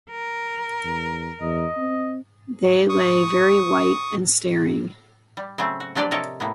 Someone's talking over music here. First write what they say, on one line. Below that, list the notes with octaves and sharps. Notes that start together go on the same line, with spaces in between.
They lay very white and staring.
A#4
E2
E2 D#5
C4
C#6 D#6
G3
C#3 F#3 A3 C4
F#4
F3 F#3 D4 G4 B4 D5
C3 A4 A#4 C#5 D#5
A2 A#3 B3